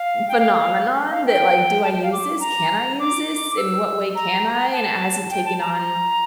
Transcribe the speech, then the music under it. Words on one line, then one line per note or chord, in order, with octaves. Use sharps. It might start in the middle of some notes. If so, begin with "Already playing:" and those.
phenomenon that, like, "Do I use this? Can I use this? In what way can I?" and it hasn't taken on,
Already playing: F5
G5
F5
F5
G5
A5
G5
F5
D6
A#5
D6
E6
A#5
A5
G5
A5
A#5